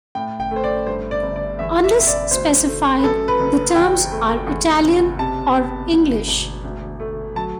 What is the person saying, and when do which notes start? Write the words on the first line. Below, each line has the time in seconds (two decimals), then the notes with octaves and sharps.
Unless specified, the terms are Italian or English.
0.15 A2 G5
0.40 G5
0.51 A3
0.56 C5
0.64 D5
0.87 G2 C5
1.11 D5
1.23 G1
1.36 D5
1.59 E2 E5
1.84 E5
1.96 E1 E5
2.07 D5
2.31 D2 C5
2.67 A3
2.98 B4
3.03 F#2 A4
3.28 B4
3.40 F#1
3.76 E2 G5
4.11 A3
4.47 E2
4.84 F#1
5.19 C3 A5
5.56 B3
5.91 D2
6.28 E1
6.63 D2
7.00 A3
7.35 F#3 A5